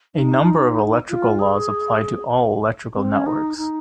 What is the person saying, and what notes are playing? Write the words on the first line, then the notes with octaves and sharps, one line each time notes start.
A number of electrical laws apply to all electrical networks.
D#4
F4
G#4
C4
C#4
D#4
D#4